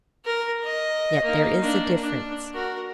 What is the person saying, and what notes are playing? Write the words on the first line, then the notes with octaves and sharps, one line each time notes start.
Yet there is a difference.
A#4
D#5
A#3 D#4
A#3 D4
D4
F#4 A#4